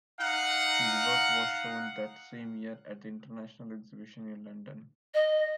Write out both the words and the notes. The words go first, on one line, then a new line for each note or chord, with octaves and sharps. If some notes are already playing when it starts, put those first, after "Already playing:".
His work was shown that same year at the International Exhibition in London.
D#4 F5 F#5
D#5